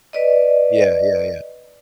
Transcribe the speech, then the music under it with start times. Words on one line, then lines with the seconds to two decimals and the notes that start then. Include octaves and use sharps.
Yeah, yeah, yeah.
0.13 B4 D5 D#5